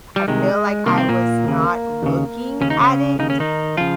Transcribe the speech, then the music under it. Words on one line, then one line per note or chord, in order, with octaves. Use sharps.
I feel like I was not looking at it
G3
C2 C3 D#3 G#3
C2 C3 D#3 A#3
C4
A#2 A#3
D#2 C#3
D#2 C#3
D#2 C#3 C#4
D#4
C#3 C#4
D#2 C#3 D#4
C#4
D#3 D#4
C#3 F3 F4